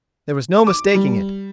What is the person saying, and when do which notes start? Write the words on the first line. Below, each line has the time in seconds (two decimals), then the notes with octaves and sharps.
There was no mistaking it.
0.67 D6
0.95 G3